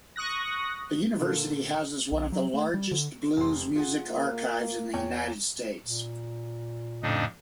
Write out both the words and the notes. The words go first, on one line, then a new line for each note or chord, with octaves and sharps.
The university houses one of the largest blues music archives in the United States.
C#6 D#6 F#6 A#6
A#2 D3 A#3
B1
F#3
A3
G3
D3
F1 C6
F4 G#4 F#5
A#3
E2 C#5 G5
A#2
F2 A2 C#3 D4 D#4